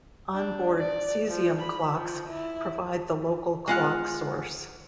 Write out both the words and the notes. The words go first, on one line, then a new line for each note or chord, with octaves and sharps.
On-board cesium clocks provide the local clock source.
D4
D5
F3
B5
F3
E4
G#3 F4 F#5